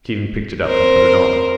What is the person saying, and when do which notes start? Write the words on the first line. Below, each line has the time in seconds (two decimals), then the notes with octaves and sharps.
Stephen picked it up and put it on.
0.66 C4 A#4 C5